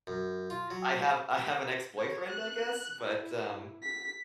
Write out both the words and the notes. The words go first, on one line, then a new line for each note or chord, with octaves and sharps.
I have I have an ex-boyfriend, I guess, but, um,
F#2
F4
F#3
C#5
F#6
E4
B6